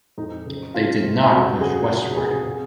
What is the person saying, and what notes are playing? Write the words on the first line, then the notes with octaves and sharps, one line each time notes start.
They did not push westward.
F2 D#4
F#1
F#1 F4
C3
F2 F#4
F#1 G#4
F#1 F#4
C3 G#4
C3 G#4